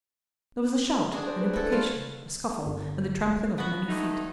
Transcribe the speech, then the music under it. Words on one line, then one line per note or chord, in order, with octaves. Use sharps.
There was a shout, an imprecation, a scuffle, and the trampling of many feet.
D4 F#4 G#4
C5
B4
E4 F#4 A4
A3 E4 F4 C5
G1
B3 F#4
G2 A3 D#4